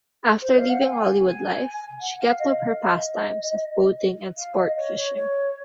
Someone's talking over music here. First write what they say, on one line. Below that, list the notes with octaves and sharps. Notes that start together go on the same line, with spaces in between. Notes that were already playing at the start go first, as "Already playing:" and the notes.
After leaving Hollywood life, she kept up her pastimes of boating and sport fishing.
C5
F5
F#5
G#5
G#5
F#5
F5
D#5
F5
F5
D#5
F5
D#5
C#5
C#5
C#5